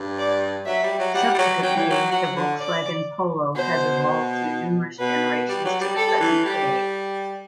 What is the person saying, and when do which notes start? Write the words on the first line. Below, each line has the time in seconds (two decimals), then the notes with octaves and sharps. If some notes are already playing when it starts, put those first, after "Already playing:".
Subsequently the Volkswagen Polo has evolved through numerous generations to the present day.
Already playing: G2
0.19 D5
0.66 F#3 E5
0.83 G3
0.99 F#3
1.14 G3 F#5
1.34 G3
1.38 F#3
1.62 F#3 G5
1.76 E3
1.90 F#3
2.11 F#3 F#5
2.35 D3
2.59 D5
3.55 B2 C5
4.99 B2 B4
5.48 G3
5.65 F#3
5.81 G3
5.96 G3 A4
6.20 E3
6.44 G3 G4